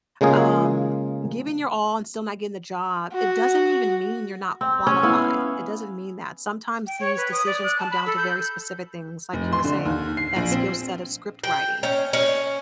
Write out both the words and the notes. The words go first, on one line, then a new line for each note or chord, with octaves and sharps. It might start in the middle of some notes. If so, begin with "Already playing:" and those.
um, giving your all and still not getting the job, it doesn't even mean you're not qualified, it doesn't mean that. Sometimes these decisions come down to very specific things, like you were saying, that skill-set of script writing.
C#3 G#3 A#3 F4 G#4
F#4
C4
C#4
B3 E4 F5
G5
C#5
B4
D#6
D5
F#6
A5
B5
A4
G6
F1
C6
D3
D#2
C7
A#1
C4
G5
C#4
C#4